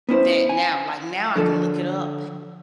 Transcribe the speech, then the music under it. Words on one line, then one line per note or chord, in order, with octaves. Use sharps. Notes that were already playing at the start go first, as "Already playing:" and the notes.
that now. Like, now I can look it up
B3 C#4 E4 C5
G#5
D3 F3 A4